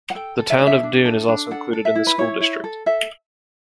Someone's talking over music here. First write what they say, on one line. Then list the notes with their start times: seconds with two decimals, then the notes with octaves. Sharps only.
The town of Doon is also included in this school district.
0.10 F#5
0.15 A4 G5
0.38 A4
0.50 E5
0.58 D4 D5
0.67 E5
0.83 D4
1.05 A4
1.28 D4
1.51 A4 F#5
1.73 A4
1.85 E5
1.95 E4
2.07 B4
2.18 E4 C#5
2.41 E4
2.64 A4
2.86 A4 E5